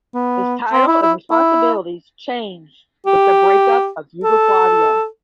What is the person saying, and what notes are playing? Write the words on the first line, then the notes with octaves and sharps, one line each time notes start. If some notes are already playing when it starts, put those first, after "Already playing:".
His title and responsibilities changed with the breakup of Yugoslavia.
B3
C4
E4
E4
E4
G4
A4